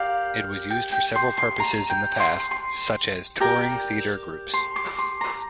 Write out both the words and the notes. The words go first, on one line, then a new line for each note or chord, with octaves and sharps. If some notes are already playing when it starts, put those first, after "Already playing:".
It was used for several purposes in the past, such as touring theater groups.
Already playing: G4 A#4 D5 F5
G5
G5
C6
C6
A#5
G5
C6
C6
G4 A#4 D5
C6
D6
C6
A#5